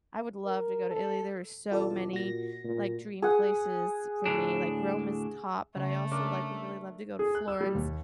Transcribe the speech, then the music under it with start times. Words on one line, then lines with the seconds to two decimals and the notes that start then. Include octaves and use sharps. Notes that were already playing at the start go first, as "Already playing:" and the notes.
I would love to go to Italy, there are so many, like, dream places for me, like, Rome is top, but I also, like, would really love to go to Florence,
0.45 A#4
0.90 A4
1.71 E1 F4 A4 D5
2.13 A#2 F#4 A#6
2.64 A#2
3.22 G#4 F#5
4.26 D2 A2 D4
5.76 C#3 A3
6.11 C#3 D4 A#4 D5
7.19 G#4
7.35 F#6
7.48 E6
7.61 G3
7.75 D#2